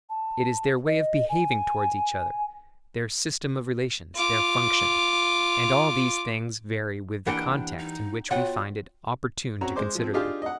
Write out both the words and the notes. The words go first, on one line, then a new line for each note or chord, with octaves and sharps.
It is their way of behaving towards each other, their system of relations, their function; and all these things vary with the context in which we find it opportune to consider them.
A5
D#5
G#5
F4 D6
E3 G3 A#3 D4 F#5 G5
D#4
B2 F4 C#5 F#5 G5
C4 C#4 F#4 A#5
G#3 C5 D6
F3 C4
D4 D#4 F4 G4 G#4 F5
D#5 F#5